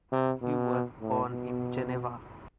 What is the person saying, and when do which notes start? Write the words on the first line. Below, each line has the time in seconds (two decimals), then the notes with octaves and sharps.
He was born in Geneva.
0.12 C3
0.42 B2
1.01 A2
1.30 B2